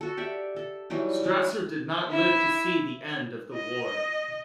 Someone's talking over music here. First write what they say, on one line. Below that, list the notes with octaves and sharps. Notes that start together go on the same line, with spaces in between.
Strasser did not live to see the end of the war.
F#4 A4
G4 D5 E5 F#5
A4
E3 F#3 G3 D#4
F#3 C#4
E4 E5
D#5